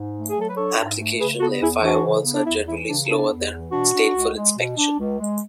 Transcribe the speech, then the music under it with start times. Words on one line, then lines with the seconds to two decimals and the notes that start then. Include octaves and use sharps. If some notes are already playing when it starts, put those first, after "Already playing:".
Application layer firewalls are generally slower than stateful inspection.
Already playing: G#2
0.14 A3
0.29 G#4
0.35 F#3 A4
0.48 B4
0.56 D4 A4 C#5
0.78 G#2
0.98 A3
1.19 C#3 G#4 B4
1.40 B3 F#4 A4
1.61 E2 E4 G#4
1.82 E3 D4 F#4
2.03 C#3
2.24 B3
2.33 D4
2.45 E2 E4
2.66 E3 E4
2.88 C#3 D4
3.09 B3 D4
3.30 E2
3.52 E3
3.71 B2 D4 F#4
3.94 D4
4.15 C#2
4.36 G#3
4.57 B2
4.77 D4
4.99 C#2
5.19 G#3